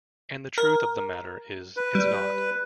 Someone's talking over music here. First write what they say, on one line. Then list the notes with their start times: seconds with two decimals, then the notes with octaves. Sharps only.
And the truth of the matter is, it's not.
0.58 A#4
1.77 B4
1.95 G3